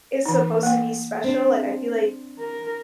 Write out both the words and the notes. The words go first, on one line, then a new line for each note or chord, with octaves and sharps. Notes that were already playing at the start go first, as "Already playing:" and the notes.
it's supposed to be special, like, I feel like
E3 D#4
A#3 G5
C4 D4 C5
A#4